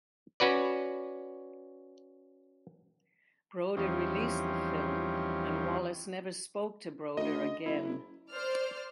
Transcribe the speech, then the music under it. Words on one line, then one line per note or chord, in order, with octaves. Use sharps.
Broder released the film and Wallis never spoke to Broder again.
C#4 F#4 B4 D5
E2 F3 G3 C4 C#4 D#4
D2 D#5
F#1 E4
C5 D5 F6